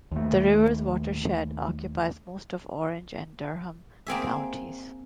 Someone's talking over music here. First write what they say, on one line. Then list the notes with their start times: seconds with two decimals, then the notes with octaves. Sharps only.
The river's watershed occupies most of Orange and Durham counties.
0.12 D#2 A3
4.07 A#3 C4 G#4 E5